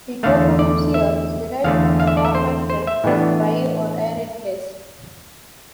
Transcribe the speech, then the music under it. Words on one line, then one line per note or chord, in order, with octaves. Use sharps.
The toponym "Seer" is derived from the Norman French for "dry or arid place".
E2 D3 A3 F5
D5
E5
E2 D3 A3 F5
F5
E5
D5
E5
C5
C5
E5
A2 E3 B3 D4